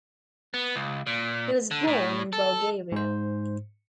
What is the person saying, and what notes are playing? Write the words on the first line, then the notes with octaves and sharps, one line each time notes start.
He was born in Bulgaria.
B3
C#2
A#2
D3
A2
A4
G#2 C5